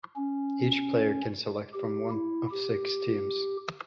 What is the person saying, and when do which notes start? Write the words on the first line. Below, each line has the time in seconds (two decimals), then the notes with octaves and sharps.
Each player can select from one of six teams.
0.15 C#4
1.73 G4
2.11 E4
2.51 G4